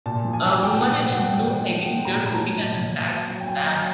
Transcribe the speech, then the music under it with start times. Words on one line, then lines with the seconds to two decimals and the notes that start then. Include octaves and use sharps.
A woman in a blue hiking shirt looking at a black ram.
0.06 A#2 A5
0.25 F3
0.33 G#5
0.42 F3 A5
0.51 G#5
0.62 A#2 G5
0.81 A#2 F#5
1.00 A#2 F#5
1.12 F#5
1.20 F3 G5
1.38 A#2
1.47 F#5
1.58 F3
1.76 F3 G5
1.96 F3
2.05 A#5
2.15 A#2
2.26 A#5
2.33 F#3 A5
2.53 A#2
2.72 A#2
2.90 A#2
3.10 F#3
3.28 F#3
3.40 G5
3.47 F#3 G#5
3.67 F#3
3.76 G5